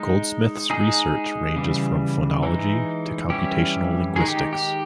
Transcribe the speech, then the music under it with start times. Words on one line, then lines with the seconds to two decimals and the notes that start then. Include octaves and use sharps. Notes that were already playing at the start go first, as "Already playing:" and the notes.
Goldsmith's research ranges from phonology to computational linguistics.
Already playing: G#3 D#4
0.70 G#3 D#4 G#4
1.56 C#3 E3 G3
2.43 E3 G#3 D#4
3.30 E3 G3 C#4 E4 G4
4.16 D#3 G#3 D#4 G#4
4.28 G4
4.53 G4